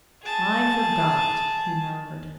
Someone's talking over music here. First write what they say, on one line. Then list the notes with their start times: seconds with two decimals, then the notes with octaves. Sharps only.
"I forgot," he murmured.
0.24 G#4 A5